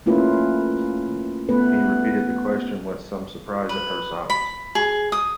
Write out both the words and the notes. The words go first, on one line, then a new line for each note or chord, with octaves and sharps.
He repeated the question, with some surprise at her silence.
A3 A#3 C#4 E4 F4 B4
A3 B3 B4
B4
B5
G#4
D#6